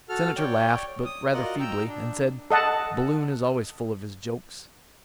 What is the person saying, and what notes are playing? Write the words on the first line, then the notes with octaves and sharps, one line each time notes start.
The Senator laughed, but rather feebly, and said, "Balloon is always full of his jokes."
F#4 A4 F6
C#5 D5 G5
D#6
F4 F#4 A#4 D5 D#5 F#5
G5 A#5 E6
D4
A4 D#5 F#5 A5